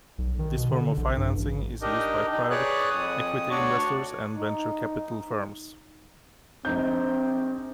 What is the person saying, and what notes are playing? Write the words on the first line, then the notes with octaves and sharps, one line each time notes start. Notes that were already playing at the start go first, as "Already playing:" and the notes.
This form of financing is used by private equity investors and venture capital firms.
B1
D#3
B2
D3
A#1
G2
A1
D4 D#4 G4 A#4 D#5
D#4
G#4 B4 C#5 D5 F#6
F2 D#6
D2 D4 F#4 C#5 D5 C#6
D#4
A#1 C4 D#4 G6